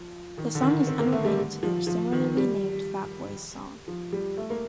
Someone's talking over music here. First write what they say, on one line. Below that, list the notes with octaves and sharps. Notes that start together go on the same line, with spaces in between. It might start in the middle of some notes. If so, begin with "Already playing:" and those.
The song is unrelated to the similarly named Fat Boys' song.
Already playing: F3
D#3
D3
D#3
C4
A#3
A3
G3
F3
F3
D#3
G3
F3
G3
A3
A#3